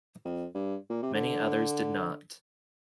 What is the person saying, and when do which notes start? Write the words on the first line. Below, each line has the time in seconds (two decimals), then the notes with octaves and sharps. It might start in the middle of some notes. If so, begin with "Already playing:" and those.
Many others did not.
0.25 F2
0.55 G2
0.90 A#2
1.02 C3
1.14 D3